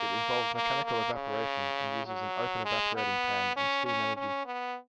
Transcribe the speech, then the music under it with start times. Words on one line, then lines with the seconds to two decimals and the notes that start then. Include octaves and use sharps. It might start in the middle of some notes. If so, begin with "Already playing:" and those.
It involves mechanical evaporation and uses an open evaporating pan and steam energy.
Already playing: A#3
0.55 A#3
0.84 A#3
1.15 C#3
2.06 F#3
2.65 G#3
2.96 B3
3.57 C#4
3.86 C#4
4.17 C#4
4.46 B3